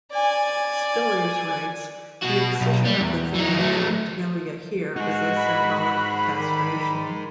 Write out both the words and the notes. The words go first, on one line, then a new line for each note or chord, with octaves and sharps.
Spillers writes, The excision of the female genitalia here is a symbolic castration.
D5 G#5
B2 F#4
B1
G3
E2
E3 D#4
F#3 A3
G#3 D#4 F#4 G#4
B5
D#3 D5